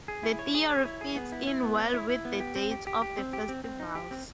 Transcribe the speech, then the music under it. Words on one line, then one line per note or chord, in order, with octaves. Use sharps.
The theory fits in well with the dates of the festivals.
G#4
E4
C#5
G#4
C#5
E4
G#4
B3
E4
E4
B3
C#5
E4
E4
B3
G4
C4
G4
G4
G4
C4
G4
C4
C4
D#4
G4
C4